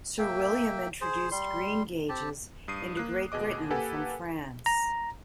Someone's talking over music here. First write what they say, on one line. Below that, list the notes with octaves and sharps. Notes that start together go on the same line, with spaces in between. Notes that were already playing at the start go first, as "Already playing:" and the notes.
Sir William introduced greengages into Great Britain from France.
A#3 E5 G5
G#4 C5
G3 C6
C4 G4 A5
G2 D#6 C7 D#7
A#3 F#6
D#2 B2 G#4 D#5 D6
A#3 G4 A4 B4 F#5 G#5
A#5